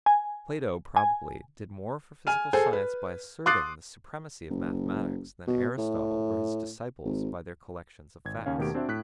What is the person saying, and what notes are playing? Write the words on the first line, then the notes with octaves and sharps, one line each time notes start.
Plato probably did more for physical science by asserting the supremacy of mathematics than Aristotle or his disciples by their collections of facts.
G#5
G#5
G#5 F6 D#7
G#4 A4 C5 G#5 A5
B4
C6 D6 D#6 F#6 A6 C7
F#1
B2
A2
G#1
G#1 G#6
D#2 C#3 C#4 F5
D#2 B2 D#3 A3 G4 D7
C4 D4 F#4 C5 E5
A2 F#6 B6